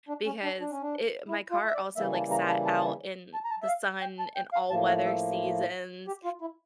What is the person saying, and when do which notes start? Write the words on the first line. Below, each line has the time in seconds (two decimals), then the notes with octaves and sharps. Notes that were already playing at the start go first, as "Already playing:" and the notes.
because i my car also like sat out in the sun and all weather seasons,
0.08 D4
0.26 C#4
0.43 D4
0.60 D4
0.71 C#4
0.82 D4
1.29 E4
1.51 F4
1.67 E5
1.74 D5
1.96 C#3 E3 G3 A#3 E5
2.14 A5
2.31 A#5
2.48 A5
2.65 A5
3.34 A5
3.44 A#5
3.50 A5
3.63 E5
3.68 F5
4.01 G5
4.19 A5
4.36 G5
4.53 F5
4.70 A2 F3 A#3 A5
4.87 F5
5.05 E5
6.07 G4
6.24 F4
6.41 E4